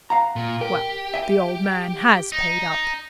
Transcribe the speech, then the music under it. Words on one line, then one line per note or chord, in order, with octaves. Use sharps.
Well, the old man has paid up.
F5 F#5 A#5
A#2
G4 A#4
E5 G#5
D#4